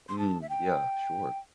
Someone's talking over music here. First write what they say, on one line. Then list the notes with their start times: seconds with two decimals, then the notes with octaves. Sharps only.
Mm, yeah, sure.
0.09 C6
0.18 A5
0.42 E5
0.49 G5